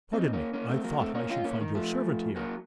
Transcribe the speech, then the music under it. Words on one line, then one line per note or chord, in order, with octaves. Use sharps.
"Pardon me; I thought I should find your servant here."
C4 D#4
A#3 C#4
A#3 C#4
A3 C4
F#3 A#3
A3 C4
A#3 C#4
C#4 F4
A#3 C#4
D#3
F3 A3
F#3 A#3